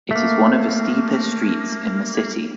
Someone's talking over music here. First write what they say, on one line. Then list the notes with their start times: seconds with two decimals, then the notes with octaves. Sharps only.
It is one of the steepest streets in the city.
0.11 A3 A#3